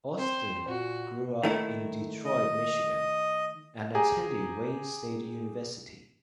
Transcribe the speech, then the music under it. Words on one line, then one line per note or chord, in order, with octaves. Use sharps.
Austin grew up in Detroit, Michigan, and attended Wayne State University.
C4 C5
A#2 F#4
D#3 A3 E4
D#5
G4 G#4 G#5 A#5